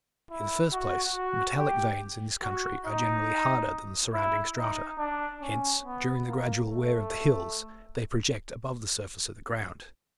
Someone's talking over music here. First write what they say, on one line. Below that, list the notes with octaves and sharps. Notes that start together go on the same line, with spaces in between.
In the first place, metallic veins in this country are generally harder than the surrounding strata: hence, during the gradual wear of the hills, they project above the surface of the ground.
E4
F#4
F#4
G4
F#4
D#4
E4
D#4
D4
C#4
B3
A#3
A3